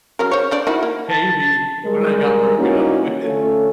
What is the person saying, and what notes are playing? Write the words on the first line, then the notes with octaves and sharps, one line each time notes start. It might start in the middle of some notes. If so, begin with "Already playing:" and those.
pay me when I got broken up with.
C#3 F#3 A#4
C5 C#5
D4 C5 D5
D#3 E4 F#4
A#3
A5
G3 G#3 A#4
E3 G3 A#3 C#4 D#4 F#4
D3 A3 C#4 F4 A4 C#5